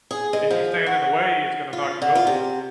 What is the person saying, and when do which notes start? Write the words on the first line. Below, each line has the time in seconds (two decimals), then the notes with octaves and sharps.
if you stand in the way, it's gonna knock you over.
0.11 G#4
0.33 G#3
0.50 F3
0.86 F#4
1.73 F4
2.02 D3
2.15 F4
2.27 C3